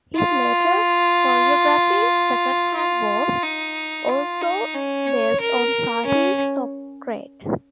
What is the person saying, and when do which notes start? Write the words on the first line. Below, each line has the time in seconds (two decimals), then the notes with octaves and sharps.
His later choreography "Second Hand" was also based on Satie's "Socrate".
0.15 F4
2.77 F4
3.43 D#4
4.09 F4
4.42 D#4
4.74 C#4
5.07 C#5
5.41 A#4
6.06 C#4